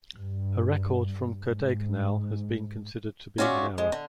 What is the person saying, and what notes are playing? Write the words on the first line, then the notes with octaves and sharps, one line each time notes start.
A record from Kodaikanal has been considered to be in error.
G2
G#2
C#4 F4 F#4 D5 E5
G#3
D3